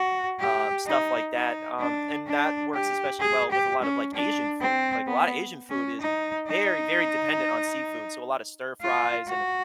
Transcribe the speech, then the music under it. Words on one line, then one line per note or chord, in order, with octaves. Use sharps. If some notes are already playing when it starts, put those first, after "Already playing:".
um, stuff like that, um, and that works especially well with a lot of, like, Asian food, like, a lotta Asian food is very, very dependent on seafood, so a lot of stir-fries and
Already playing: F#4
G4
D#4
D#4
D4
D4
G4
G#4
G4
C#4
D4
C4
B3
C#4
D#4
D#4
F4
F#4